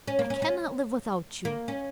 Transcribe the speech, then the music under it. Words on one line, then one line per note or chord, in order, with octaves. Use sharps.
I cannot live without you!
C#4
A#3
C#4
C#4
A#3
C#4